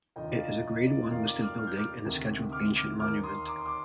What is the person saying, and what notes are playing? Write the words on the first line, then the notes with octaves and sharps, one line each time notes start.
It is a Grade One listed building and a Scheduled Ancient Monument.
F1 D#2 D3 F3 D#5 G5
D5 F5
D#5
D#5
D5
F1 F2 D#3 D5 F5
A#5 D6
D6 F6
F6
G6
D6 F6
D2 C3 D#3
D6 F6
D6 F6
D#2 D#3 D6 F6
C6 D#6
A#5 D6
C6 D#6
D6